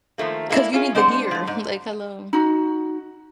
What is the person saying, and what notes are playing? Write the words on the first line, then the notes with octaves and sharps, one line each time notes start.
'cause you need the gear, like, "Hello."
D#3 F3 A3 A#3
G#3 A#3 D4 E4
C#4 F4 G#4
G#3 C4 D4 C5 F#5
F3 A3
G#2
D#4 F#4